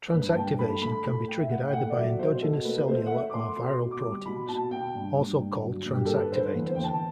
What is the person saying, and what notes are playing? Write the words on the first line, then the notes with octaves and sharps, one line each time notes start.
Transactivation can be triggered either by endogenous cellular or viral proteins, also called transactivators.
G2 B4
A5
G2 G5
A3 B5
A3 B5
A2 B5
A2 G5
E5
A2 F#5
G5
A3 F#5
D5
F#3 E5
B2 C5
B2 A4
A3 B4
A3 C5
F#5
A3 E5
D6
A3 C6
B2 C6
B2
D6
G3
B2 B5
B2 A5
B2 G5
G2
G2
G2
F#3
G2
G4
G2 A4
B4
D3 C5
B4
E2
C5
E2 G5
A5